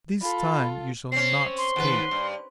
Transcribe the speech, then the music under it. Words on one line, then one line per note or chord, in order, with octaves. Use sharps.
This time you shall not escape.
F4 A4 B5
C4 C#4 C7
C6
D#2 B4
G2